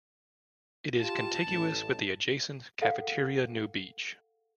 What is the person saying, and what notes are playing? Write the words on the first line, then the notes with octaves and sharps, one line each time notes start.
It is contiguous with the adjacent Cafeteria New Beach.
F4 G4 A5
A1
G#4 A4 F5 F#5